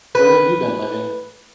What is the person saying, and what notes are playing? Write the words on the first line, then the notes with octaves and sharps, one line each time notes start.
Where have you been living?!
B4